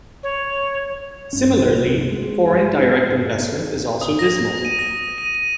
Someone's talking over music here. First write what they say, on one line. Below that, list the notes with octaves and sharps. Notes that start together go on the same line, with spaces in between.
Similarly, foreign direct investment is also dismal.
C#5
G2 C#4
C2
G#3
D#6
A#6
D#7
A#6
D#7
D#7